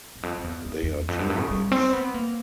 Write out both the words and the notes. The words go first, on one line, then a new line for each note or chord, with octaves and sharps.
They are teammates.
E2
F2
F2
E2
E2
E2
F2
F#2
G2
C#3
G3
C4
B3
A#3